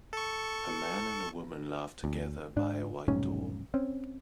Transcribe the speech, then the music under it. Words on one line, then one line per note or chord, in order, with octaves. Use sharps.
A man and a woman laugh together by a white door.
A4 C#6
D2
G#2 D4
F1 B1 G#2 C#4
C4 C#4